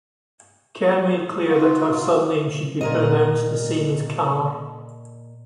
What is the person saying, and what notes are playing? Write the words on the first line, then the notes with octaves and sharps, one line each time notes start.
Kerr made clear that her surname should be pronounced the same as "car".
D#4 F4 F#4
A#2 A#4 D#5